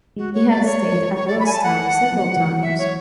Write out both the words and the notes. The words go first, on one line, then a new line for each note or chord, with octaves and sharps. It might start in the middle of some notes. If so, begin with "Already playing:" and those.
He had stayed at Willstown several times.
G#3 F#4
C#5
D5
C#5
C#5
D5
B5
G#5
A5
F#5
F#3
E3
F#3 E5
C#5